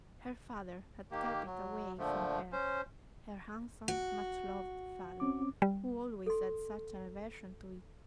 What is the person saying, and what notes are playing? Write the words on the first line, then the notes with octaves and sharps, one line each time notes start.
Her father had kept it away from her--her handsome, much loved father, who always had such an aversion to it.
D#3 A#3 G4
F#3
A#2 D3 F3 A3
C#4 C5
F#4
C4 C#4 D6
G3
A4 C6